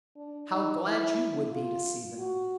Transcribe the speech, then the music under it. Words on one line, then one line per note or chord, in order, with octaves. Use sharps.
"How glad you would be to see them!"
D4
D#4
E4
F4
F#4